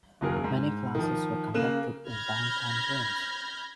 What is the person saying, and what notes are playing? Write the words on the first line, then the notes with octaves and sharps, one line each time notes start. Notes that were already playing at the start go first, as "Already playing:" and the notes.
Many classes were conducted in downtown Rindge.
F#1 D#2 F#3 G#4 A#4
G#2
D#3 F3
C#3 A#3 F#6 E7
B5 F6 G6 G#6 A#6